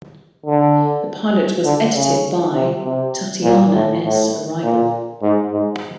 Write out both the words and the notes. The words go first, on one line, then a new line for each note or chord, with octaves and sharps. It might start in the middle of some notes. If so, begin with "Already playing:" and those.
The pilot was edited by Tatiana S. Riegel.
D3
D3
C#3
C3
C3
A#2
A2
A2
A#2
G#2
G#2